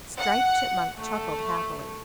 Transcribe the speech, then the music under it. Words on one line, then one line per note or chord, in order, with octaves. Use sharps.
Striped Chipmunk chuckled happily.
F#5
A3